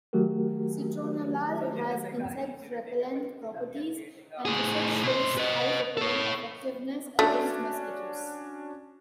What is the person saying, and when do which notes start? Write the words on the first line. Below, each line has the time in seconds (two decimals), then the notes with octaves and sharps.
Citronellal has insect repellent properties, and research shows high repellent effectiveness against mosquitoes.
0.13 D#3 F#3 A3 F#4 G4 A#4
4.45 A2 G#4
5.03 B2 C5
5.38 B4 D#5
5.97 A4 C#5
7.19 A3 C#4 D4 F#4